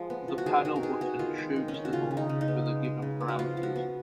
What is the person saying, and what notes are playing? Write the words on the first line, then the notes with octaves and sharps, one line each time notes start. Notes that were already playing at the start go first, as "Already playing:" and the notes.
The paddle button shoots the ball with the given parameters.
Already playing: F3 G#3
B3
F3
F#4
D#3 G#4
D#3 F#4
A#4
B3 G#4
B3 F#4
D#3 F4
G#3
D#3
C#4
D#3
F#4
C#3 F4
C#3
D#4
C#3
D#4
B3
G#3
G#3
C#3
B3
F#4
F3 F4
F3
F#4
B3